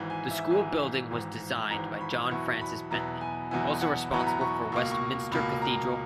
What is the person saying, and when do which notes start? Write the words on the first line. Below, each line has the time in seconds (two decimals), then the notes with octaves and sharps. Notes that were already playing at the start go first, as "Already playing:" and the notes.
The school building was designed by John Francis Bentley, also responsible for Westminster Cathedral.
Already playing: G#1 G#2 E3
0.10 G#5
0.31 E5
0.50 G#1 G#2 E3 G#5
1.11 G#1 G#2 E3
1.71 G#1 G#2 E3 A#5
1.95 C#6
2.01 B5
2.31 E2 B2 F#3 B3 E4 C#6
2.61 B5
2.91 E2 B2 F#3 B3 E4 A#5
3.21 G#5
3.51 E2 B2 F#3 B3 E4 G#5
3.82 F#5
4.11 E2 B2 F#3 B3 E4 A#5
4.19 B5
4.27 A#5
4.41 C#6
4.72 C#2 B2 A#3 C#6
4.91 C#6
5.32 C#2 B2 A#3 B5
5.62 A#5